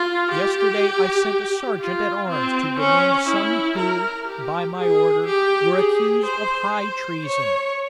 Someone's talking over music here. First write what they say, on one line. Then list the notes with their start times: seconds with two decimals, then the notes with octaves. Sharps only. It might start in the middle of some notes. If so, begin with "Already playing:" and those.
Yesterday I sent a serjeant at arms to demand some who, by my order, were accused of high treason.
Already playing: F4
0.31 G4
1.80 F4
2.29 C4
2.79 C#4
3.28 E4
3.78 A#4
4.27 G4
4.77 G#4
5.26 G4
5.76 G#4
6.26 C5
6.75 C5
7.25 C#5